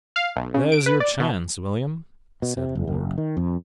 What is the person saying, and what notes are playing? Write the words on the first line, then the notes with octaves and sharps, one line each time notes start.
"There's your chance, William," said Ward.
F5
B1
C#3
D7
B4
D5
B2
B2
C3
F#1
F#1
D#3
F2